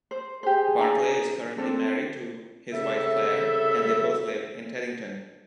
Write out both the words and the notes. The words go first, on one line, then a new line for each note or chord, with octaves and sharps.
Barclay is currently married to his wife Clare, and they both live in Teddington.
C5
G4 G#4 C5
D4 A#5
C4 D4 A4
C2 C#3 A4 E5